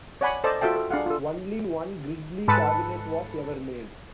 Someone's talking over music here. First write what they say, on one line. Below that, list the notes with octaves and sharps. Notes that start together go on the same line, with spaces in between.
Only one Gridlee cabinet was ever made.
C#5 D5 F#5 G#5 B5
A4 C5 D5 D#5 A5
F4 F#4 A4 E5 G5 A5
A4
D4 G#4 F5 F#5
F4 A4
G#2 A4 B4 A5 C#7